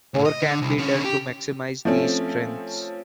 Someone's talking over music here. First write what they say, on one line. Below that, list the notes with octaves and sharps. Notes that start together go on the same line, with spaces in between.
More can be done to maximise these strengths.
C#2 A2
D#5
D3
C2
D3 C#4
G4
F3 A3 C4 C#4